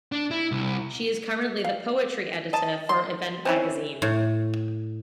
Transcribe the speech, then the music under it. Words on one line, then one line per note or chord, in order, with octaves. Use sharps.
She is currently the Poetry Editor for Event Magazine.
D4
E4
C2
F5
D#5 A5
C6
C4 C#4 E4
A2